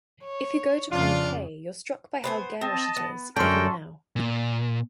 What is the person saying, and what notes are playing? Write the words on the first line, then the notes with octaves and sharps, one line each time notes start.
If you go to Pompeii, you're struck by how garish it is, even now.
C#5
F2 C#3 D4 F4 D5
B3 C5 G#5
C4 D#5 A5
B3
F#2 D3 C#4 A4 A#4 G5 A5 C6
A#2